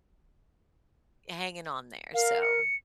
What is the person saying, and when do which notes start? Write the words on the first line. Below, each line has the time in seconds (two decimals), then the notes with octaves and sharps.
hanging on there. So
2.14 A#4 F5
2.42 C#7